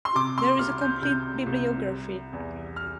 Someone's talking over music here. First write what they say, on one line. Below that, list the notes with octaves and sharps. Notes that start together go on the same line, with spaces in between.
There is a complete bibliography.
C6
C3 D6
C6
C2 F6
G6
C3 G6
C2
G3
E2
F6